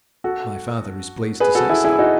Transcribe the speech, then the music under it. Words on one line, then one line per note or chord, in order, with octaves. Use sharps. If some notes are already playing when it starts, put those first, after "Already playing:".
'My father is pleased to say so.'
F#4 A4
G#4 B4
F#4 A4
E4 G#4
E4 G#4
D#4 F#4